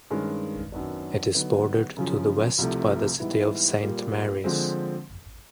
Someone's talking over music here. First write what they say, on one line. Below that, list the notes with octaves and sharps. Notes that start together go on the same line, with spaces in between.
It is bordered to the west by the city of Saint Marys.
G2 D#3 G#3 C#4
F#2 D#3 F#3 B3 D4
D3 F#3 B3 D#4
F#2 C#3 F3
C2 C3 F3 A3
G#2 E3 G3 B3 E4
A#2 G3 A#3
D3 F3 G#3 C4